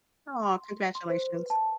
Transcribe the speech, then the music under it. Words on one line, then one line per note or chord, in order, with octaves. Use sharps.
Aw, congratulations.
C6
C6
C5
B4
A5